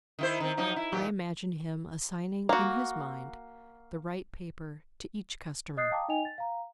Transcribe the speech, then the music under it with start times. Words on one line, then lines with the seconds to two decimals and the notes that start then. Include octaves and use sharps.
I imagine him assigning in his mind the right paper to each customer.
0.19 D#3 E4 C5
0.40 D#3 C4
0.57 F3 F#3 D#4
0.76 E4
0.92 A#2 E3 G4
2.49 A#3 F#4
5.77 D#5 D#6 F#6 G6 A6 C7
5.91 F5 G5 A5 A#5 D6 D#6
6.08 D#4 D#5 G5 G#5 F7
6.25 A6
6.38 F5 A#5